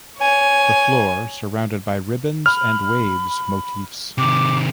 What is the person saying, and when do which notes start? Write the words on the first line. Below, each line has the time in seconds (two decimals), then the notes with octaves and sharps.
The floor surrounded by ribbons and waves motifs.
0.18 C#5 G#5
2.46 B5 F6
4.18 C3 D#3 D6